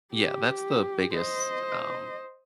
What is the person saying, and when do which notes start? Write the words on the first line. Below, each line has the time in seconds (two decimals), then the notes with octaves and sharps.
Yeah, that's the biggest, um
0.14 G4
1.14 C5 D#5